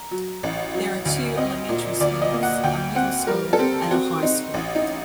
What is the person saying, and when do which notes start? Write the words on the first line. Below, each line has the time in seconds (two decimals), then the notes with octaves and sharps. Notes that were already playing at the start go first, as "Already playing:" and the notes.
There are two elementary schools, a middle school and a high school.
Already playing: A#5
0.11 F#3
0.43 A1
0.74 F#3
1.05 D2
1.37 C4 D#5
1.69 A#2
2.01 D2 D5
2.22 D#5
2.33 A#3
2.43 F#5
2.63 D2 G5
2.95 C4 F#5
3.27 G3 A#4
3.53 A4
3.59 C4 G4
3.91 C4 F#4
4.22 C4 D#4
4.54 A1
4.75 D#4